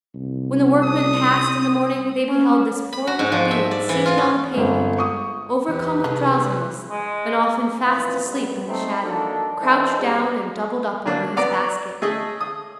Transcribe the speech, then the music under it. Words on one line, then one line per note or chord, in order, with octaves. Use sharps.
When the workmen passed in the morning, they beheld this poor little being seated on the pavement, overcome with drowsiness, and often fast asleep in the shadow, crouched down and doubled up over his basket.
C2
D#6
C#4
B5
F#4
G#2
F3
E5
D5
E3
F4
B3
G1 G#3 C4
C#6 D#6
E2 G4 B4
C2 D#3 G3 G#4 A4
G#3
F2 A#2 D#3 E3 A#3 B4
A#1 G3 G#3 B3
A3 C4 D#4
A#3 D4 D#4 F#4 A4
E3 G#3 A#3 C4 D4 D#4
C2 G3 D4 F#4 G#4
F#3 A#3 D4
B3 D5 A#5
A3 G#4 D#5
D#6